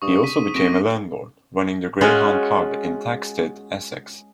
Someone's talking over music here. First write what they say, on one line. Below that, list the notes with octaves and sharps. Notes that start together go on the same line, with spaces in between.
He also became a landlord, running the Greyhound pub in Thaxted, Essex.
G2 C#6 D#6
B6 D#7
G#2
F#1 C4 C#6 A#6 D7
G#3 C#4 F4 F#4